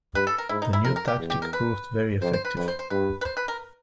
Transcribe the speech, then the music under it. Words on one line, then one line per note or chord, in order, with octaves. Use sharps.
The new tactic proved very effective.
G2 B4
A4
A#4
G#2 E4
D#4
E4
F2 A#4
A#4
G4
E2
G4
A#4
B4
F2 C5
C5
B4
F2 B4
C5
C5
G2 B4
B4
C5
B4
A#4